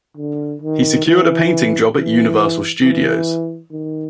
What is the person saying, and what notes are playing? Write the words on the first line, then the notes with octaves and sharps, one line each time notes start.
He secured a painting job at Universal Studios.
D3
D#3
E3
E3
E3
D#3